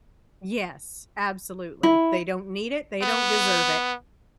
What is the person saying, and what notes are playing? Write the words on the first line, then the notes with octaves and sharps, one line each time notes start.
Yes, absolutely. They don't need it. They don't deserve it.
E4
B3